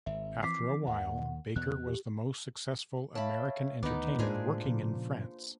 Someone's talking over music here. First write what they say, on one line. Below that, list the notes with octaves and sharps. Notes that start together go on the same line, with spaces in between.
After a while, Baker was the most successful American entertainer working in France.
G#1 E5
E3 F3 C4 D6 B6 C7
D#2 D#3 F#5
E2 B2 F#6
G4
C#5 E5 F5 A5 B5
D2 D#3 B3 D#4 B5 D6
A2 G3 G#3 A#3 D4 F4 G#4 C5
A#2 C#3 F3